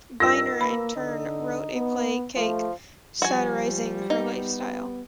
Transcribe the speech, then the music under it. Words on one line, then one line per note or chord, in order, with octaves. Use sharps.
Bynner in turn wrote a play, "Cake", satirizing her lifestyle.
G2 D#3 F4 E6 A#6
A#3 B4 B5
D3 D#4
B3
F3 A3
F3 G3 F#4 G#5
B3 D#4